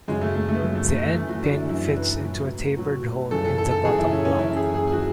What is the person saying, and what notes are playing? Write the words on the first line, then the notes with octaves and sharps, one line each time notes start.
The endpin fits into a tapered hole in the bottom block.
F#2 C#3 F#3 G#3
A3
A3
A3
B3
F#2 C#3 F#3 A3
A3
A3
A3
F#2 E3 A3
F#4
D4
E4
F#2 E3 E4
B4
A2 F#3
A2 F#3
F#2 C#3 E3 A4
A4
A4
A4
F#2 C#3 E3 G#4
E4
C#4
C#4
F#2 E3 E4
G#4
G#4
G#4
E3 F#4